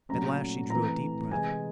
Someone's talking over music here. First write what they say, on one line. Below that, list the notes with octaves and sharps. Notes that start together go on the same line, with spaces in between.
At last she drew a deep breath.
A#2 F#3 A3 C#4 A#5
E3 A3 C4 A#5
C3 E3 G#3 G#5